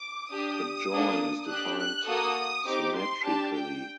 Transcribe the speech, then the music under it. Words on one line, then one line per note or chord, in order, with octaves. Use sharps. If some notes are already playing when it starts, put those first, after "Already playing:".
The join is defined symmetrically.
Already playing: D6
D4 G4 D#6
A#3 D4 A4
D4 G4 F#6
F#6
A#3 F#4 A4 D#6
C4 D#4 G4 D6
C6
D4 G4 A5
G5